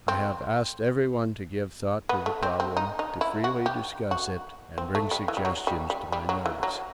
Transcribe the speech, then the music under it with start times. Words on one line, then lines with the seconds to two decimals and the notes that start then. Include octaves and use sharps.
I have asked everyone to give thought to the problem, to freely discuss it, and bring suggestions to my notice.
0.08 C4
2.09 B3
2.26 A3
2.43 C4
2.60 C4
2.77 D#4
2.99 D#4
3.21 E4
3.44 F#4
3.66 G4
4.11 F#4
4.78 C4
4.95 A3
5.11 G3
5.28 E3
5.37 G3
5.45 F#3
5.67 G3
5.90 G3
6.12 G3
6.29 F#3
6.46 E3
6.63 F#3